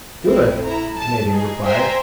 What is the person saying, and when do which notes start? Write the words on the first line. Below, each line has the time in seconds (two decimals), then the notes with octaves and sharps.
"Good!" the Canadian replied.
0.23 A#1 A3 C4 E4
0.64 E4 A#5
0.97 A5
1.31 D#4 G#4
1.65 C5 E5 G5 G#5 A#5 C6